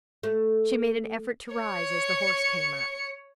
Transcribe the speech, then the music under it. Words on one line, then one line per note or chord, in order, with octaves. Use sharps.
She made an effort to rise as the horse came up.
A3
C#5 C#7